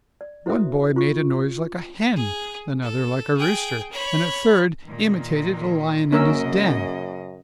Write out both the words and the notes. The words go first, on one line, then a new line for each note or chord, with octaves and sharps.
One boy made a noise like a hen, another like a rooster, and a third imitated a lion in his den.
D5
E4 F#4 A#4 C5 E5 D#6
F4 C#6
G#4
A4
G#4 G5
C#5 B5
A#2 D#3
F#2 C#3 A#3 C#4 A#4 D#5 E6 B6